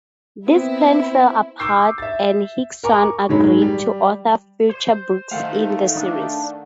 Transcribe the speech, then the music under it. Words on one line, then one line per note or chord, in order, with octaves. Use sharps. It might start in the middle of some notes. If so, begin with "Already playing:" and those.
This plan fell apart and Higson agreed to author future books in the series.
B3 C4 E4
C#6 D6 E6 G6 C7
E5 A6
A#4 G#5 A#5 C#6 D6
C#6
G#2 D#3 F#3 G#3 C#5 B5
G3
C5
D#3 A3 F5 F#5
D4